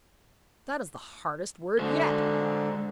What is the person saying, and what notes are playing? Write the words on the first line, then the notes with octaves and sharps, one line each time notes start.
That is the hardest word yet!
D3 G#3 F#4 C5